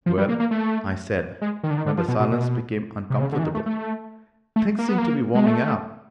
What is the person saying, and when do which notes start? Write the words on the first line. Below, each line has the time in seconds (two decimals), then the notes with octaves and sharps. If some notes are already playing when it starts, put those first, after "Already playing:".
"Well," I said, when the silence became uncomfortable, "things seem to be warming up."
0.06 F3
0.18 G3
0.29 A#3
0.40 A#3
0.51 A3
1.42 G#3
1.63 D#3
1.70 D3
1.78 D#3
1.86 D3
1.98 F3
2.08 B2
2.20 B2
2.31 B2
3.10 C3
3.21 C#3
3.32 D3
3.39 E3
3.44 D#3
3.55 A3
3.66 A3
4.56 A3
4.79 A#3
4.88 B3
4.98 A#3
5.35 G#3
5.46 A3